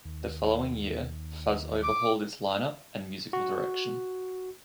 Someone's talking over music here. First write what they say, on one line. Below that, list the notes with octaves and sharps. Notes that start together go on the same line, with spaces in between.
The following year, Phuz overhauled its lineup and musical direction.
D#2
D6
F#4